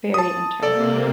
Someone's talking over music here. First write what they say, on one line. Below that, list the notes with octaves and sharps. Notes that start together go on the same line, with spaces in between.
Very interrupting.
A5 D#6
C3 A#3 A4 D5